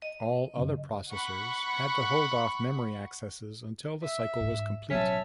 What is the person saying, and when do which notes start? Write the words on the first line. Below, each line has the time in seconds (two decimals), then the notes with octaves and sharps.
All other processors had to hold off memory accesses until the cycle was complete.
0.02 D#5
0.57 F#2 C#3
1.11 F#5 B5 C#6
4.03 E5
4.40 G#2
4.90 A1 B2 F#3 C#4 E5 A5 B6